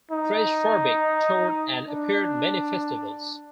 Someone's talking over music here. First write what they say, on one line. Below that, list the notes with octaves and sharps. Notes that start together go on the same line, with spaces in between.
FreshFarbik toured and appeared many festivals.
D#4
D4